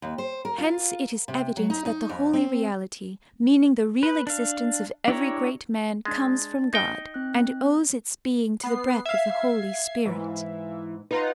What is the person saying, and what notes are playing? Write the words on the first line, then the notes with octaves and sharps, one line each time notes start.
Hence it is evident that the holy reality, meaning the real existence of every great man, comes from God and owes its being to the breath of the Holy Spirit.
D#2
C5
A#4
F4
C3
F#3
D#4
D#4
F2
C4
B4
D4 F5
D4 E4 G4 C#5 A#5
G#3 D4 A6
D#4 G5
C4 F#6
B3 C7
E5 F5 G#6 C7
G#2 E3
D#4 F4 B4 F#5